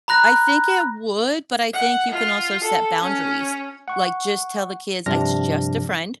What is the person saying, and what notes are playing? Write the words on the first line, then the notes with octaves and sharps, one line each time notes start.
I think it would, but I think you can also set boundaries, like, just tell the kids, "I it's just a friend,
A#5 B5 F#6 A#6
F#5
F4
A4
C#4
F#5 C#6
G2 C3 F3 D4 F6 A#6